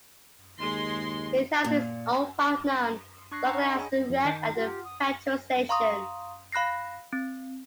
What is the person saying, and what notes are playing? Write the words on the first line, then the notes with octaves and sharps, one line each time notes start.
It has its own park known locally as the Rec, and a petrol station.
D#2 G#3 C6
A#2
D4 C#6 F#6 A#6 C7
C#4 D4 F#5 A5 A#5 C#6
D#5 B5
G#4 C#5 G#5
F2
D#3 D#4 G6
F4 G4 F#5
D#6
F5 A#5 C6 C#6 D#6
F5 B5 F#6 A#6 C7
C4